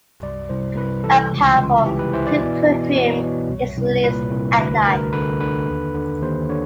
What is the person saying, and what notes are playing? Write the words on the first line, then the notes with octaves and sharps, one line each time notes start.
A powerful, sweet perfume is released at night.
C2 D5
C2 C5
C2 B4
E3 A4
C#2
C#2
E3 G4
B4
E3 C5
D5
B2
B2
B2 C#5
B2
C2
C2
A#2 B4
C2
D2 B4
D2 A#4
D3 B4
D3 B4
D#2
D3
D#2 C5
D3 C#5